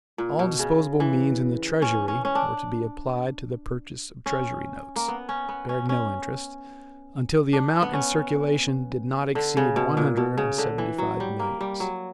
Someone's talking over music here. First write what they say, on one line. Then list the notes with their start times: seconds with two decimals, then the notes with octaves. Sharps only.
All disposable means in the Treasury were to be applied to the purchase of Treasury notes, bearing no interest, until the amount in circulation did not exceed one hundred and seventy-five millions.
0.18 A#2
0.39 B2
0.59 C#3
1.00 E3
1.82 C#4
2.08 C#4
2.25 C#4
2.35 D4
4.26 C#4
4.96 A#3
5.08 B3
5.29 C#4
5.49 B3
5.69 C#4
5.89 C#4
7.53 D4
7.82 B3
7.93 C#4
9.35 D3
9.57 C#3
9.76 B2
9.97 A#2
10.17 B2
10.37 C#3
10.58 D3
10.78 E3
10.98 F#3
11.20 G3
11.39 A#3
11.61 G3
11.80 F#3